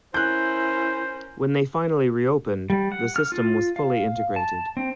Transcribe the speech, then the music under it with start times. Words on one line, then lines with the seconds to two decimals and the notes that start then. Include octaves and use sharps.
When they finally reopened, the system was fully integrated.
0.14 C#4 E4 A#4 C5 F#6 G6
2.70 G3
2.92 F#5
3.16 F6
3.32 F4
3.76 F5
4.36 A5
4.77 C4